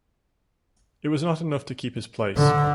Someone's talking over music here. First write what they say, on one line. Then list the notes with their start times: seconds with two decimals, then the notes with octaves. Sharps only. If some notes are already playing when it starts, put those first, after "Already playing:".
It was not enough to keep his place.
2.37 D3